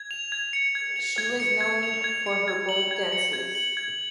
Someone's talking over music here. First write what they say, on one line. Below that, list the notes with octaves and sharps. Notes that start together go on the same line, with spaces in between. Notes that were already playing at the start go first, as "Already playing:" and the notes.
She was known for her bold dances.
Already playing: G#6
F7
G#6
C#7
G#6
F7
G#6
C#7
G#6
F7
G#6
C#7
G#6
F#7
G#6
C#7
G#6
F#7
G#6